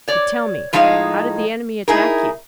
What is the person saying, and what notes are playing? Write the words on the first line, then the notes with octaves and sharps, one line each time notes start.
"But tell me, how did the enemy attack you?"
C#5 D5
A2 F3 G#3 D#4 D#5 F5
D#4 E4 G#4 A#4